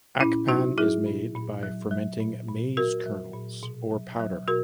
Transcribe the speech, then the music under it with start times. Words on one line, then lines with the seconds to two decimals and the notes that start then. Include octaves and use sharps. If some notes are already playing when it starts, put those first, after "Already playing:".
Akpan is made by fermenting maize kernels or powder.
0.20 A#2 C#4 E4
0.48 F#3 D#4 F#4
0.78 F#3 E4 G#4
1.06 A#2
1.35 A#2
1.63 F#3
1.91 F#3
2.20 A#2
2.49 A#2
2.77 F#3 F#4 A#4
3.06 F#3
3.34 A#2
3.63 B2
3.91 F#3
4.19 F#3
4.48 B2 F#4 A#4